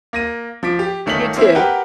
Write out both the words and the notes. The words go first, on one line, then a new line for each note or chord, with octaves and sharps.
You too.
A#3 A#6 D#7
F3 D6 B6 D7
G4
G1 D#3 A3 C#4 B6 F#7
A#3 C4 C#4 E4
G4 A#4 B4 F#5 G5